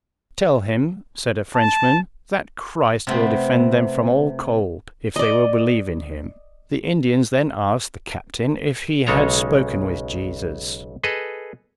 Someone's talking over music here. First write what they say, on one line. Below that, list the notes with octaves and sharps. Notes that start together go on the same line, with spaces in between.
"Tell him," said a Frenchman, "that Christ will defend them from all cold, if they will believe in him." The Indians then asked the captain if he had spoken with Jesus.
A5
C3 A3 B3 C4
D5 D#5
B1 C#3 G#3 A4 C#5 A#5
G#4 A4 B4 D#5